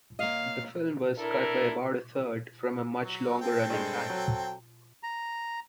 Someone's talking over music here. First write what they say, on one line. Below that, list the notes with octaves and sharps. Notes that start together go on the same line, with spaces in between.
The film was cut by about a third from a much longer running time.
A#3 C#5 D#5 F5
D4 E4 A4 A#4
F#3
C4 A4 G5
G2 G#3
F#3
A#5